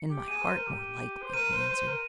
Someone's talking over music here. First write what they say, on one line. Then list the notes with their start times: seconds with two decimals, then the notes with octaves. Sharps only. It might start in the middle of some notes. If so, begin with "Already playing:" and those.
"In my heart, more likely," he answered.
Already playing: C#7
0.10 G4
0.28 G#4 D#7
0.42 C5
0.54 A#4
0.67 G4
1.22 C5
1.33 A#4 D#7
1.52 C5
1.69 C5
1.87 A#4